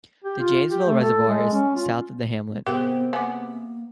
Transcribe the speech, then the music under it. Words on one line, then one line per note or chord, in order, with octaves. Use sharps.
The Jamesville Reservoir is south of the hamlet.
G4
F4
G4
A3
A4
G#3
C#4
F4
C3 B3 C4 G4 G#4 A#4
A#3 B3 G#5 D6